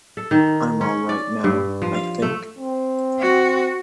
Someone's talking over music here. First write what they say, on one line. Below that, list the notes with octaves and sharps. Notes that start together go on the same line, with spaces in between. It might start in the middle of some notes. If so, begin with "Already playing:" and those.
I'm all right now, I think.
A4
D#3
C#4
D5
G2
F3
F5
A3
C4
F#4